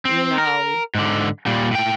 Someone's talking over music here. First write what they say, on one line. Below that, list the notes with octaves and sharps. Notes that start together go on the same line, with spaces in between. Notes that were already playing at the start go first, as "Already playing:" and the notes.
you know,
C4
A#4
G#2 D3
A#2 G3
A2 G5